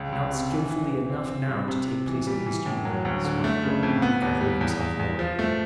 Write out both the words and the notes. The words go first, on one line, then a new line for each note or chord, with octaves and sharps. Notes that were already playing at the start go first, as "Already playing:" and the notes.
"Not skilfully enough now to take place against you, Will," smiled Robin, recovering himself more and more.
Already playing: C#2
C#2
C3
E3
E3
E3
C4
C4
G2
C3
C3
E3
G3
E3
A2
F#3
D2
D3
A3
C#3
F2
B3
D#2
G3
E2
E2
E2
F3
A3